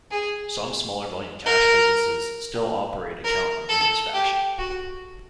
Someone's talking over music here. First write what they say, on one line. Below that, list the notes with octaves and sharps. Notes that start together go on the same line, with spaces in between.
Some smaller volume cash businesses still operate a count room in this fashion.
G#4
A#4
A#4
A4
G4
F#4